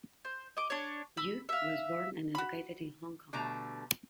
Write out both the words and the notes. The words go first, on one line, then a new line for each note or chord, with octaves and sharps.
Yiu was born and educated in Hong Kong.
C5
D#5 D6
D4 C#5
B5 E6
E5 F5
F#4 B5
B2 D3 G3 A3 A#5